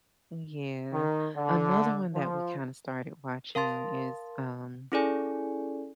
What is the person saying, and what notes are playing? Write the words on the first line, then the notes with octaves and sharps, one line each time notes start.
yeah. Another one that we kinda, started watching is, um,
D#3
D3
F3
A#4 F5 A5 C6 A6
C#4 E4 G#4 A4 D5 G#5